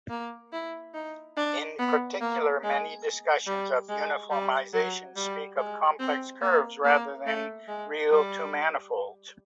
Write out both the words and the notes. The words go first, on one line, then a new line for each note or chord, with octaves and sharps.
In particular, many discussions of uniformization speak of complex curves rather than real two-manifolds.
A#3
E4
D#4
D4
B3
A#3
G#3
G3
G#3
G3
F#3
G3
G#3
C4
A#3
A#3
A3
G#3
G3